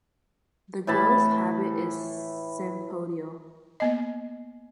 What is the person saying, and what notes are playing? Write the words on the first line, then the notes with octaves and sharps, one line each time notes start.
The growth habit is sympodial.
A2 E3 A5 B5
A#3 B3 D#5